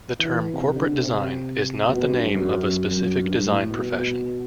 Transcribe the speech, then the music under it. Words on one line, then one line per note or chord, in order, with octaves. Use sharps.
The term 'corporate design' is not the name of a specific design profession.
E3
C3
D3
C3
B2
G2
F#2
F#2
F#2
G2
A2
B2
B2